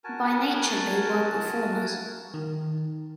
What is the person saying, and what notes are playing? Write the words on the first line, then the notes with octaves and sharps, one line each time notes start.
By nature they were performers.
F#4 A#4 G#5 A5
D#3